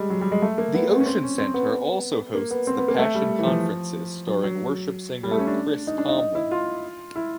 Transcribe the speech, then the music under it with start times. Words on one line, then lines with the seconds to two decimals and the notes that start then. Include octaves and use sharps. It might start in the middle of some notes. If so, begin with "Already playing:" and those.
The Ocean Center also hosts The Passion Conferences starring Worship singer Chris Tomlin.
Already playing: G3 G#3
0.10 F#3
0.21 G3
0.32 G#3
0.42 A3
0.58 A#3
0.74 B3
0.90 B3
1.00 C#4
1.06 C4
1.22 C#4
1.38 C4
1.54 B3
2.35 A#3
2.51 B3
2.67 C4
2.78 B3
2.88 A#3
2.99 A3
3.15 G3
3.39 E3
3.47 F3
4.27 F#3
4.44 F#3
5.23 G3
5.31 A3
5.39 C#4
5.47 D4
5.87 D#4
5.98 D4
6.09 D#4
6.19 D#4
6.35 E4
6.51 F4
7.16 E4